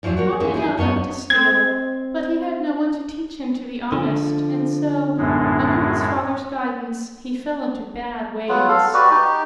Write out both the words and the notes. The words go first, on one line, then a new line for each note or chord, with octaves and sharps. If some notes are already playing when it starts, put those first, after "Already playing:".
Tom did not like to steal, but he had no one to teach him to be honest, and so, under his father's guidance, he fell into bad ways.
E2 F3 F#3 E4 D5
F#4 A#4 C#5
D#3 E3 G#3 A#3 C#4
D#4 E4 G#4
F#2 B3 C#5 D#5
C4 G#6
D3 F3
B1 F#2 A2 G#3
F#3 B3 F4 F#5
A4 F5
F#4 G4 B4 D5
D#4 G4